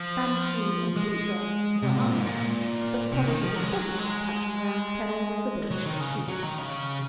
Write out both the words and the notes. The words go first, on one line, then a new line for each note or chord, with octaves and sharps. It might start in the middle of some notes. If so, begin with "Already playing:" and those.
Banshee and Fintragh were others, but probably the best of Captain Graham's kennel was the bitch Sheelah.
Already playing: F3
G#3
C3
A#2
G#2
A#2
C3
D#3
F3
F#3
G#3
F#3
G#3
F#3
D#3
C#3
F#3
D#3
C#3